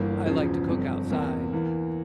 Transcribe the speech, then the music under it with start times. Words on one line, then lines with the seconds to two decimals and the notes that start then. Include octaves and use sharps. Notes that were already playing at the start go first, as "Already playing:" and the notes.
I like to cook outside
Already playing: G1 G2 E3 A#3
0.26 E1 E2 C#3 F3
0.68 G1 F2 C3
1.10 E2 C3 E3 A#3
1.53 E2 E3 A#3